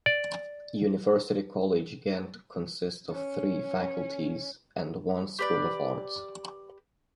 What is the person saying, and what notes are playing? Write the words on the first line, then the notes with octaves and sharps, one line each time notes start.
University College Ghent consists of three faculties and one School of Arts.
D5
C#4
G4 B4 D5